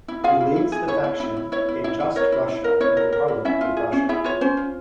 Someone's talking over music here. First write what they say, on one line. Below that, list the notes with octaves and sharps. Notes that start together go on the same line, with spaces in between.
He leads the faction A Just Russia in the Parliament of Russia.
E4
F4 G#4 F5
E4
E4
G#4
E4 C#5
E4
E4
E4
E4 C#5
E4
E4
E4
A#4 C#5
E4
E4
A#4
E4 C#5
A#4
A#4
E4
C#4 E4 E5
F4
G#4
C#4
E4 G#4 E5
F4 C#5
C#4 C5
F4